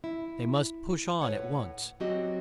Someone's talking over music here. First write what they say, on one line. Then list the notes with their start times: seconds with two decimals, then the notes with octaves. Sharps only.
They must push on at once.
0.04 E4
1.21 A2 B4 C#5 F#5
2.00 F#3 C4 F#4 G4 D#5